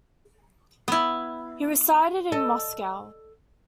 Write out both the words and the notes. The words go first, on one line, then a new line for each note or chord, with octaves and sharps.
He resided in Moscow.
B3 E4
A4 D#5